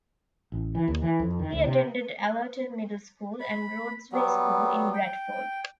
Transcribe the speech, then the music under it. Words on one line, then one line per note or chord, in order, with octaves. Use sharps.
He attended Allerton Middle School and Rhodesway School in Bradford.
A1
E3
D#2
E3
F2
D#3
D2
C3
B5
F#3 G3 B3
G5